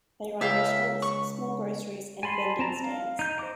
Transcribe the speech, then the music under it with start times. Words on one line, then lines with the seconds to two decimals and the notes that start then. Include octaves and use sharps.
They run restaurants, small groceries and vending stands.
0.41 C#2 E5 F5 G5
1.02 C#6
2.23 G#5 A5 B5 C6
2.59 C4 A5 A#5
2.84 F5
3.19 D#4 G6
3.39 C5 D#5 A#5 D6